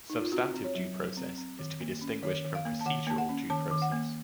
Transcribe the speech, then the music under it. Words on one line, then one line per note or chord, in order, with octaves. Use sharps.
Substantive due process is to be distinguished from procedural due process.
D#4
F4
C4 F#4
C4
C#5
F#3
F#3
C4
C4
D#3
A#3
C#4
D#3 C#5
D#3
F5
A#3
A5
D#3 F#5
A#3 A5
F#5
C#4
D#3 A5
D#3
F#5
A#3